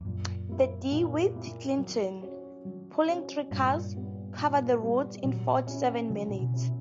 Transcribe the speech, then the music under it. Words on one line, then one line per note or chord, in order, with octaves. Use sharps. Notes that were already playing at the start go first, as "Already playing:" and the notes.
The DeWitt Clinton, pulling three cars, covered the route in forty-seven minutes.
E2
F#2 A#2
A#3 E4
A#2
A#3 E4
F#3
C#4 F#4 C#5
F#3
C#4 F#4 C#5
G2 A#2
G3 B3
A#2
G3 B3
A#2 F#3
C#4 E4
C#3 F#3
A#2
B2
C#4 E4